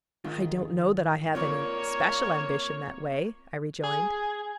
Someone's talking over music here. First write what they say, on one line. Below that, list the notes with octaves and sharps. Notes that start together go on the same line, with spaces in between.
'I don't know that I have any special ambition that way,' I rejoined.
G#2 D#3 F4
A#3 C4 F4 C#5 D5
G#4